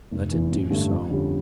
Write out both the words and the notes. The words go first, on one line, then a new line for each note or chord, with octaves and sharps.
"Let it do so."
F1
E2 E3
A1
G2 D3 A3
F2
D3 G3 C#4